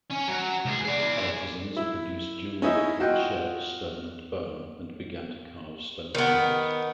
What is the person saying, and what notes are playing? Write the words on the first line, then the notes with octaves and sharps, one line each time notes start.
Artisans produced jewelry from shell, stone, and bone, and began to carve stone figures.
C#4
F#3
C#2 G#4
G#4 D5
E4
C#4 D#4 E4
F4 F#4 D#5 G5
D#3 B3